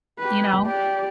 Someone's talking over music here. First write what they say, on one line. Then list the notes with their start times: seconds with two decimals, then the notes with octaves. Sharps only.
you know?
0.19 G4 B4
0.66 G4 D5